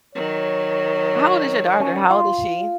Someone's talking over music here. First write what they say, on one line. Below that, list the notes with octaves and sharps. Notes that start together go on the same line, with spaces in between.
How old is your daughter? How old is she?
D#3 F#3 C#5
C#4
F4